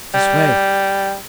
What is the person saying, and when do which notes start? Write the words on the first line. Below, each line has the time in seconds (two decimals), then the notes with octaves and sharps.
"This way."
0.14 G3